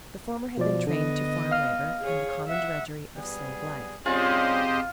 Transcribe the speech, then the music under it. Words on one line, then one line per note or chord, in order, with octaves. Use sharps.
The former had been trained to farm labor and the common drudgery of slave life.
B2 F3 D5
D3 B3 D#5
F5 F6
G#4 C#5
E5 F#5
G3 B3 G#4
G3 C4 C#4 F4 G4 G#4 C5 D#5